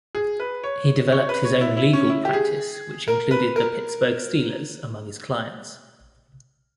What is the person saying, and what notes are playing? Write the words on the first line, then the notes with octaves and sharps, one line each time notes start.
He developed his own legal practice which included the Pittsburgh Steelers among his clients.
G#4
B4
C#5
C#5
B4
C#5
E4
E4
C#4
E4
G4
G#4
A#4
B4
A#4